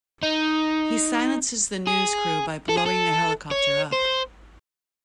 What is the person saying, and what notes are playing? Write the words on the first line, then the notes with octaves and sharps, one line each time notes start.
He silences the news crew by blowing the helicopter up.
D#4
G#4
A4
G#4
A4
C#5
C5